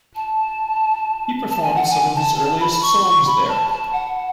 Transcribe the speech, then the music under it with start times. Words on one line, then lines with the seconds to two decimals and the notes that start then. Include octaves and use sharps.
He performed some of his earliest songs there.
0.16 A5
1.50 A5
1.62 G#5
1.76 F#5
1.90 G#5
2.15 A5
2.38 A5
2.60 B5
2.82 C#6
3.04 C#6
3.27 B5
3.48 A5
3.70 A5
3.93 F#5